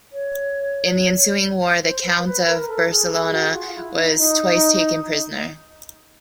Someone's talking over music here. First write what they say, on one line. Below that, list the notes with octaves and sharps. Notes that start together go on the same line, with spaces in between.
In the ensuing war the Count of Barcelona was twice taken prisoner.
C#5
C5
B4
B4
A#4
A4
G#4
G#4
F#4
F4
E4
D#4
D#4